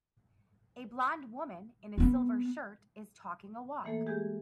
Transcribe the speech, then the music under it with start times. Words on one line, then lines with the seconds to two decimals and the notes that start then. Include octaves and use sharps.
A blond woman in a silver shirt is talking a walk.
1.98 B3 C4
3.84 E3 A3 A#3 A4
4.06 G#3 G4 G#4 G6 G#6